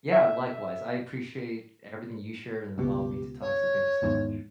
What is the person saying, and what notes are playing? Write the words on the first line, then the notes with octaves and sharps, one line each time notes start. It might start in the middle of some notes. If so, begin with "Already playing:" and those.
Yeah, likewise, I appreciate everything you shared, and allowing me to talk, so thank you so much.
E5
C#2 B2 G4
C#5
G#1 E2 G#2